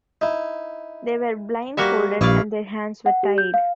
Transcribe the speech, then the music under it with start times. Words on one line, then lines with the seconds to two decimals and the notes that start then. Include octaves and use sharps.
They were blind-folded and their hands were tied.
0.21 D#4 E4
1.77 G3 A#3 F#4 E5 F#5 A#5
2.21 A#1 G2 E4 D5 F5 C#6 D#6
3.06 F#5
3.23 G4
3.38 G6
3.54 F5